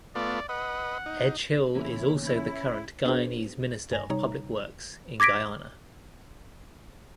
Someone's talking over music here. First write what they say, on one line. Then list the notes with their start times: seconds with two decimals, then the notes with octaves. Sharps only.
Edghill is also the current Guyanese Minister of Public Works in Guyana.
0.15 A3 B3 F4 D5
0.49 B4 D#5 F#5
1.06 D#4
1.75 E2 A#2 C#3 C#4 E4
2.25 E4
3.05 B3 D4 F#4 G#4 B4 C5
3.91 G2 G#5 A#6
4.10 C3 G3 D#4 C#5 A#5
5.20 D6 G#6 A#6 B6 D7